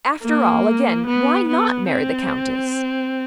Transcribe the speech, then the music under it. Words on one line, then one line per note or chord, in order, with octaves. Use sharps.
After all, again, why not marry the Countess?
A#3
B3
B3
C4